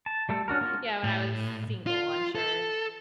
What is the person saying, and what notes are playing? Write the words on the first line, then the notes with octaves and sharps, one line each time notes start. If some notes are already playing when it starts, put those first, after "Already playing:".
yeah, when I was single, I'm sure.
A5
G3 A3 A4
C#4 D4 F#4 A#4
A#3 F4 F#4
A2
F4
A4